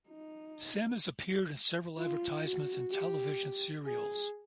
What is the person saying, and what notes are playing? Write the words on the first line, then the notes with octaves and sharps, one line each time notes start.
Sami has appeared in several advertisements and television serials.
D#4
F4
F#4
G4
G#4